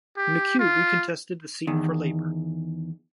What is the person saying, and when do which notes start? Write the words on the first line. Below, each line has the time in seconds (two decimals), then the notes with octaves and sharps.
McKew recontested the seat for Labor.
0.17 G4
0.59 F4
1.67 E2 D#3